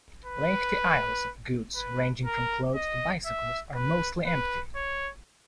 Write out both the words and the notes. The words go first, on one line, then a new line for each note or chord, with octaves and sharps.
Lengthy aisles of goods ranging from clothes to bicycles are mostly empty.
B4
B4
A#4
D#5
E5
B4
B4
C#5